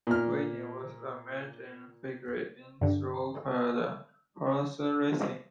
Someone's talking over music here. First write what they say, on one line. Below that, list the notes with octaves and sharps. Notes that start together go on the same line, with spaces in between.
Whitney was a major figure in thoroughbred horse racing.
A#2 F6
G2 D3